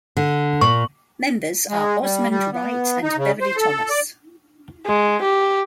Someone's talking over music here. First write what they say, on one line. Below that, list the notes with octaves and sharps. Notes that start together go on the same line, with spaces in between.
Members are Osmond Wright and Beverly Thomas.
D3
A#2 A#3 C#6
G#3
G3
G3
B3
D#4
C#3
C5
A4
D5
G#3
G4